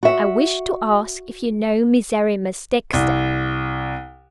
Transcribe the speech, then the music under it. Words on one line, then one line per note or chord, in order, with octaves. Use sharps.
"I wish to ask if you know Miserrimus Dexter."
F#4 E5
C2